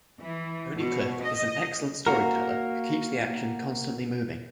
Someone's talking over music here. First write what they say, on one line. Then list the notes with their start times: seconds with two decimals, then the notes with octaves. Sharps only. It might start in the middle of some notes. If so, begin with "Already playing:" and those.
Tony Cliff is an excellent storyteller who keeps the action constantly moving.
0.19 E3
0.78 B2
1.23 D#5
2.07 A#3 F#4 A#4